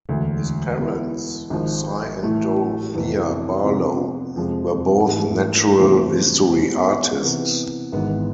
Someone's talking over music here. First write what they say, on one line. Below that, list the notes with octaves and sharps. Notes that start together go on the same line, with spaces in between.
His parents, Sy and Dorothea Barlowe, were both natural history artists.
E1 D2 D3
B2 B3 E4
G#1 G#2 F3
A2 E3 A3 E4
F2 C3 E3 B3
C3 F3 B3
F2 C3 F3 G#3
G#2 E3 A3
E2 C3 F3 A3
B2 G#3 C4
C3 E3 B3
G#1 G#2 E3 B3